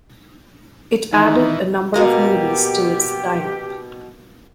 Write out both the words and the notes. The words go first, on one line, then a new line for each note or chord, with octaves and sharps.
It added a number of movies to its lineup.
D#3 E3 D#4
B2 A#3 G4 D#5